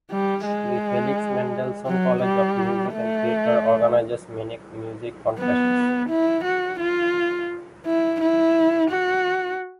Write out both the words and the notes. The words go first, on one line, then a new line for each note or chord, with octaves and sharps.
The Felix Mendelssohn College of Music and Theatre organizes many music contests.
G3
G#3
F#3
G3
A3
B3
E4
F#4
F4
E4
E4
F#4